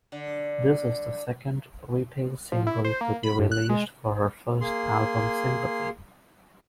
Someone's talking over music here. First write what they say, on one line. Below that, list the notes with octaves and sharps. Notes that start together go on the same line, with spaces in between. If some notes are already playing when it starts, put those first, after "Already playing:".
This is the second retail single to be released for her first album sympathy.
D3
F3
E4
C5
A#3
B5
G2
F#6
G#3
A#3 G#4 C6